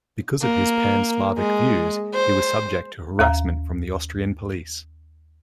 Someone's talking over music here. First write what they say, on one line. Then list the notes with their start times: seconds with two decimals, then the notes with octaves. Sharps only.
Because of his Pan-Slavic views, he was subject to harassment from the Austrian police.
0.42 A#3
1.39 G#3
2.14 C5
3.19 D#2 F5 A#5